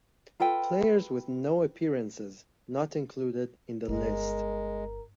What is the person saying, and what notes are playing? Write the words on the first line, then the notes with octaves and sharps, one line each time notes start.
Players with no appearances not included in the list.
F4 A4 B4 G5
G1 G#3 A#4